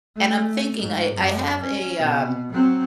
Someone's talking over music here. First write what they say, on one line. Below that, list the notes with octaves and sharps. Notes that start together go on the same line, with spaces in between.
and I'm thinking I I have a, um
A3
G#2
F#2
C#4
B2
F#3 C4